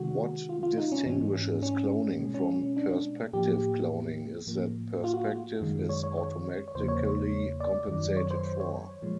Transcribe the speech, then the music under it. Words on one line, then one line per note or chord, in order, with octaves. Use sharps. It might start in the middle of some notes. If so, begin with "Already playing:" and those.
What distinguishes cloning from perspective cloning is that perspective is automatically compensated for.
Already playing: C3 D#3 G#3 F#4
F4
F4
D#4
C#4
G#2 E3 A3 C#4
C#4
B2 G#3
C#4
D4
A2 F3 A#3 G4
A2 F3 A#3
F4
F#4
F#2 D#3 G#3
C#5
C#5
C#5
C#5
E2 C#3 F3 A#3 C5
C#5
D5
F#2 D#3 F#3
C#5
C5
C#5
A#2 F3 G#3